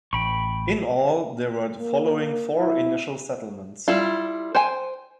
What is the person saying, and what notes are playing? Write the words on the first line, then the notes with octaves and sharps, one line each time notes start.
In all, there were the following four initial settlements.
A1 G5 B5 C#6
A#3
E4
G3 E4 F4
C5 G5 G#5